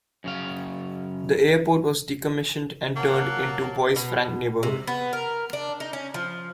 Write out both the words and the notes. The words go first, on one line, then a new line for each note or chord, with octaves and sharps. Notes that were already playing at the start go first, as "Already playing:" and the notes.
The airport was decommissioned and turned into the Bois-Franc neighbourhood.
F#2 C#3 F5
F#3 A#3 F#5 A5
B2
C3
B3
A#4
D4
D#4
C#4
F3